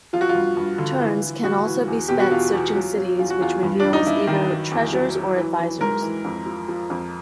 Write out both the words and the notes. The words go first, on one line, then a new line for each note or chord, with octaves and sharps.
Turns can also be spent searching cities which reveals either treasures or advisors.
F3 F4
F#4
F4
G2
G2
D3
E3
E3
A2 F#4
E3
E2
B2 G4
F#4
E2 F4
E2
F#3
F#3
E2 F4
F#4
E2 F4
G2
G2 D4
D#4
G2 E4
D#3
F#3
E2
F#3
F#3
E3
E3
G#2 A#4
E3
F2
F3
F3
F2